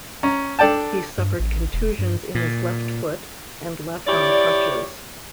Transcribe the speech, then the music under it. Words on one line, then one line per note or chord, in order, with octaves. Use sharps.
He suffered contusions in his left foot, and left on crutches.
C#4 A#5
D4 A4 D5 G5 A5
G2
A1
E1
G2
A#2
E4 G4 C#5 D5